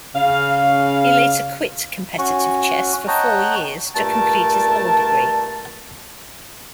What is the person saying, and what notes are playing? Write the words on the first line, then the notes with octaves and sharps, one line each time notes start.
He later quit competitive chess for four years to complete his law degree.
C#3 F5
C#4 F#4
C#5 D#5 F#5 G5 A5 A#5
G2 A#2 A3 A#4 A5